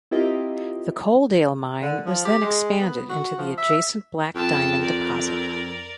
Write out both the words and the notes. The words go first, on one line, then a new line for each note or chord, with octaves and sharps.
The Coaldale Mine was then expanded into the adjacent Black Diamond deposit.
C4 E4 F4 G4 A#4 D#5
D3
F3
G4
G#3
B3
F#4
F3
E5
F2 G5 A5
A#4 D5